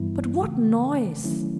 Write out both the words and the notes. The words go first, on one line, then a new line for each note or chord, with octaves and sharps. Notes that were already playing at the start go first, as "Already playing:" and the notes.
But what noise!
Already playing: G2 E3 G3 B3 E4
C#3 E3 A3 C4
D#3 F#3 A3 C#4 E4